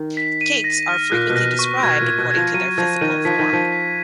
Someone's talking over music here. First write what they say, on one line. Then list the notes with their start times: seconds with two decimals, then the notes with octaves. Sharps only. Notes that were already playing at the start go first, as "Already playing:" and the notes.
Cakes are frequently described according to their physical form.
Already playing: D#3
0.17 B6
0.41 D#7
0.64 A#6
0.89 F6
1.12 A#2 F#6
1.30 B2
1.36 A#6
1.59 C#6
1.83 B2 G#6
2.01 A#2
2.07 G#6
2.19 B2
2.31 G#6
2.36 F3
2.54 F#3 D#7
2.78 F3 G#6
3.01 D#3 D#7
3.25 F3 B6
3.39 D#3
3.49 F3 B6
3.72 B6